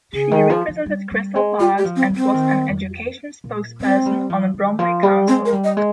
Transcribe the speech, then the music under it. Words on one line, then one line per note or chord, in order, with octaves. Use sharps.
She represented Crystal Palace and was an education spokesperson on Bromley Council.
C#3 G#4
D#3
F3
F3
G3
G3
G#3
G3 F4
G4
F3
C4
F3
C4
D#3
F2
A#2
G#3 C4
G3
F3
D#3
F3
G3
G#3 C4
A#4
G3
D#5
G#3